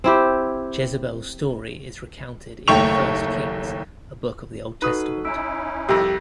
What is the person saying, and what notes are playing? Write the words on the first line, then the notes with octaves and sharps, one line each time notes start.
Jezebel's story is recounted in I Kings, a book of the Old Testament.
C4 E4 G4
F#1 D#2 A3 G5 C#6 F7
D#4 F#4 A4 B4 D#6
C#4 D#4 E4 E6 B6 D7
C2 F2 G4